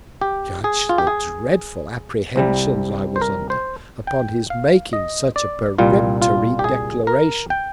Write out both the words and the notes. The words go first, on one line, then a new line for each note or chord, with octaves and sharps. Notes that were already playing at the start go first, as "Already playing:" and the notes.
Judge the dreadful Apprehensions I was under, upon his making such a peremptory Declaration.
G4
G#4
F4
G4
G#4
C2 C3 G3
C5
A#4
C5
G5
F5
D#5
D5
C2 A#2 G3 F4
F4
G4
G#4
A#4
G5